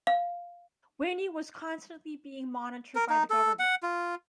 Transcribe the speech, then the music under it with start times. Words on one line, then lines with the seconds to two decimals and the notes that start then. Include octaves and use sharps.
Winnie was constantly being monitored by the government.
0.07 F5
2.95 A#4
3.10 D#4
3.30 A4
3.59 F#5
3.83 F4